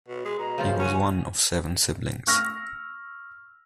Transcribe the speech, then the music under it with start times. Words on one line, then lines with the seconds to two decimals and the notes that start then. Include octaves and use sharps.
He was one of seven siblings.
0.08 B2
0.24 G#3
0.39 B2 D#5 A#5
0.58 C#3 F3 F4
0.79 C#4 F#4 F#5 G#5
2.27 C#6 E6 F6 A#6